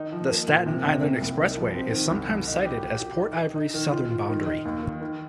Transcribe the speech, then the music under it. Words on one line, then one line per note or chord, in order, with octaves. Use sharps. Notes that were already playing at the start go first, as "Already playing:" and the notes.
The Staten Island Expressway is sometimes cited as Port Ivory's southern boundary.
Already playing: D#3 D#4
F3
A#3
A#2
C3
C3
A#3
C2
D#4
F3
C4
D#3
C2
C2
D#4
G4
G4
G4
D#4
D#4
D#4
D#3
F4
F4
D#3
D#4
D#2
D#3
D#3